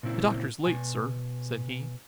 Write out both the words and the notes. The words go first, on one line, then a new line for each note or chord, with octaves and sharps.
"The Doctor's late, sir," said he.
A#2 C#3 C4 E4
B2 G#5